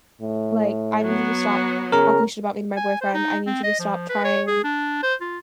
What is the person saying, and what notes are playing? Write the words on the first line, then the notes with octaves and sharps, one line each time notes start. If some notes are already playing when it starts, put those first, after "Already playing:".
like, I need you to stop talking shit about me to my boyfriend. I need you to stop trying"
A2
F#3 B3
C#3 A#4 A#5
G#5
C5
D#4
C4
D#5
F3
B4
C#5
G#4
D4
C5
F4